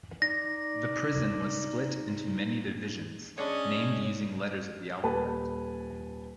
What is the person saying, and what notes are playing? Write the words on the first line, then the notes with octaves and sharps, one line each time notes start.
The prison was split into many divisions, named using letters of the alphabet.
D#4 D5 A#6
G#3 C#4 D4 C#5 D#5
D#1 A4 B4 G#5 A5